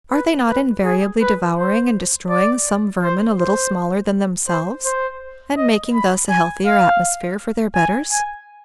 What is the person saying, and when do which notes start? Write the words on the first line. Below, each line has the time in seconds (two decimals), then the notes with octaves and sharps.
Are they not invariably devouring and destroying some vermin a little smaller than themselves, and making thus a healthier atmosphere for their betters?
0.12 B4
0.49 B4
0.84 G#4
1.22 B4
1.58 C5
2.30 D5
3.03 C5
3.39 C5
4.49 C5
4.85 C5
5.57 D#5
5.94 B5
6.30 G#5
6.67 F5
7.75 G#5
8.12 G#5